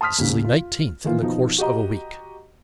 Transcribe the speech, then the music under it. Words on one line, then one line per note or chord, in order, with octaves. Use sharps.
This is the nineteenth in the course of a week.
A5 C6 D#6 F6 B6
D#2 A#2 C#3
F4
D#3 E3 A#3 F4
B2 F3 D#4
F#4 G4 D#5 A#5